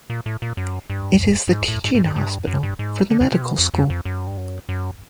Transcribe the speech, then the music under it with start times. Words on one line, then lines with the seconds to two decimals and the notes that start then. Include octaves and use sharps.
It is the teaching hospital for the medical school.
0.10 A#2
0.26 A2
0.42 A#2
0.57 F#2
0.90 G2
1.48 G2
1.53 G#2
1.68 A2
1.85 G#2
1.95 G#2
2.05 G2
2.16 G2
2.47 F#2
2.63 G2
2.79 G#2
3.10 D3
3.21 C#3
3.32 C3
3.42 B2
3.58 F2
3.74 F2
3.90 F2
4.05 F#2
4.27 G2
4.37 F#2
4.69 F#2